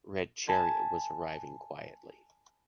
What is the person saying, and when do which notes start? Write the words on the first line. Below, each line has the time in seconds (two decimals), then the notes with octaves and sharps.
Red chariot was arriving quietly.
0.47 G#5 A5 B5 A6